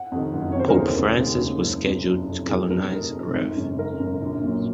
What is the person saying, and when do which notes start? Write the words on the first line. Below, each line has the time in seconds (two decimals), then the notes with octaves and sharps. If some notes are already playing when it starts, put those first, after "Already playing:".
Pope Francis was scheduled to canonize Rev.
Already playing: F#5
0.12 F2 C3 D#3
0.33 F#1
0.52 C#5
0.55 F2 C3 D#3 C5
0.68 A#4
0.77 D#2 G#4
0.98 C#3 G#3
1.19 D#2
1.41 C#3 G#3
1.62 F#1
1.84 F2 C3
2.06 F#1
2.27 F2 C3
2.49 F1 G#4
2.70 F2 C3 A#4
2.92 F1
3.14 F2 C3
3.35 G#1
3.56 F#2 C#3
3.78 G#1 A#4
3.99 F#2 C#3
4.22 A#1
4.42 A#2 F#3 A#3